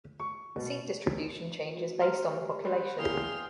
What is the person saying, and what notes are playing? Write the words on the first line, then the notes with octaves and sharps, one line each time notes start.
The seat distribution changes based on the population.
C#6
B2
F5 A#5 C6
G3 B4 C5
E2 A#3 G#4 F5 G5 C6 F7